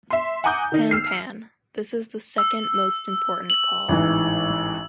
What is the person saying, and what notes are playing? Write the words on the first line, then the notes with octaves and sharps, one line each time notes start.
Pan-pan: This is the second most important call.
E5 C6
F#5 G#5 A#5 D6 D#6 G6
D#3 D#4
E6 F6 C7
E6
F#7
A1 G#2 E3